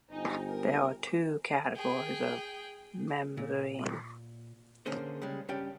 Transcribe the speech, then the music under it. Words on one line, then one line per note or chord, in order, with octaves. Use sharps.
There are two categories of mamzerim.
G1 D#4 C5 G5 G#5
A#4
G#4 G5
A#2
D3 A#3 C#4 G#4 C5
C#3 G3 G#3
G2 C#4 G4 D5 G5